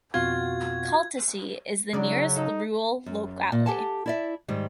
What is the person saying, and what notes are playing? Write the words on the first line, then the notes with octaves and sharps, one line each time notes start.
Kaltasy is the nearest rural locality.
F2 B2 C4 F4 F#4 G#6
C#3 F#3 D4 D#4 D5
D#4 A4
F#2
A#2
G4 A4 F#5 G#5 A5
E4 D5 E5
G#2 D#3 G3